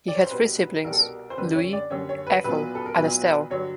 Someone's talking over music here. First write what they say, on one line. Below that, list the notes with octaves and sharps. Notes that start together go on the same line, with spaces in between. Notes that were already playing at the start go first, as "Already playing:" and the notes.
He had three siblings: Louis, Ethel, and Estelle.
D5
C#5
C5
C2 B2 G3 B4
C2 B2 G3 A#4
A4
A#4
C5
F#2 D3 G3 A#3 C#4 B4
C#5
D5
F#2 D3 G3 A#3 C#4 C#5
C#5
B4
B1 A#2 F#3 B3 B4
A4
A#4
B1 A#2 F#3 B3 B4
G2 D3 F#3 C#5